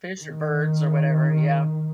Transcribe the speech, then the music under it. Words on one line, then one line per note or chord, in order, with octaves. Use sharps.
Fish or birds or whatever, yeah.
D#3